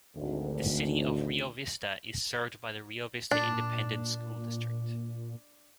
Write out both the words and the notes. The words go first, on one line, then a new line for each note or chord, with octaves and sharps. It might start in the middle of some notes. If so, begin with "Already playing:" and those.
The City of Rio Vista is served by the Rio Vista Independent School District.
G#1 D2
A#2 D4